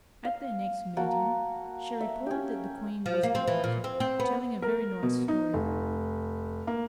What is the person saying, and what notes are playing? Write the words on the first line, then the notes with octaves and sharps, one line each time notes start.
At their next meeting she reported that the Queen was delighted, telling a very nice story about it.
F5
A#3 F#4 A5
E5
C#4 G4
F3
A#3
C4
E3
A#2
C4
C4
B3
A#4
B2
D#4
F1
A#3